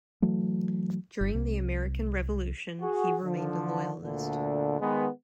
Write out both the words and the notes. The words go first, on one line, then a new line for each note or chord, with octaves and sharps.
During the American Revolution he remained a Loyalist.
E3 F#3 A3
G1
C2
F#4 G#4
D3 F3
D2 A#2 D3
D#3 G#3 B3